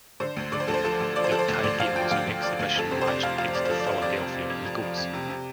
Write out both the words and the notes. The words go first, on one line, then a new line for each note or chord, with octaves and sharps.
Their tie game was an exhibition match against the Philadelphia Eagles.
D3 C5
D2
D3 D5
C5
D2 A4
C5
F3 A4
D2
F3 D5
C5
F3 A4
C5
D2
D2 D5
D2 F5
F3 G5
D2 F5
D2
F3 D5
D2
F2 A4
C3 C5
C5
F2 D5
F2 F5
F3 F5
F2 D5
C5
F3 A4
D5
F3 C5
F2 D5
C3
F2
F2
F2
F3
F2
C3
C3